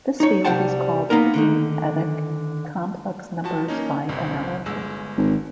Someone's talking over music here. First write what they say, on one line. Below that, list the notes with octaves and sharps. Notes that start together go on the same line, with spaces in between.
This field is called "p"-adic complex numbers by analogy.
D#4 C#5
C2 G3 C5 F#5 G5 A5
A#3 B3 D#4 A#4
D3 D#3 D#4
F3 F#4 A5
A#3 C#4 D#4
G1 C2 C4
G1 G#3 E6
G#1